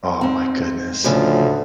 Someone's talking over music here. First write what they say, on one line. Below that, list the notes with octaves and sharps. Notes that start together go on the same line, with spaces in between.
Oh my goodness.
G#2 C4
D2 A2 C#3 F3